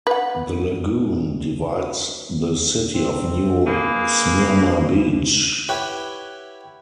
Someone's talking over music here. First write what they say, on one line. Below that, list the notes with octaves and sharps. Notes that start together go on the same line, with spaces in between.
The Lagoon divides the city of New Smyrna Beach.
B4 F#5
C4
A#3 G#4 B4
E4 G4 B4 C#5 F#5 G5